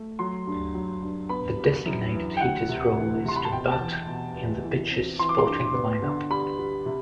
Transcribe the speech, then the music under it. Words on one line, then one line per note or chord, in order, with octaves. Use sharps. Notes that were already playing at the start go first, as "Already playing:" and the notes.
The designated hitter's role is to bat in the pitcher's spot in the lineup.
Already playing: A3
F#3 C6
G2
F#3
G2
B3 B5
G3
F#2
E3
G5
D2 F#5
C3
E3
C3 C6
B5
A5
B2 G5
A5
E2
B2
B3
E3
C4
E3 C6
D6
C6
G2
B3
D3
G3 B5
G3
C3